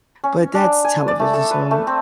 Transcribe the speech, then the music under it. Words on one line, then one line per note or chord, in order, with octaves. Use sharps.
But that's television, so
C#4
D4
G#5
D5
A3
A4
B4
A3
C4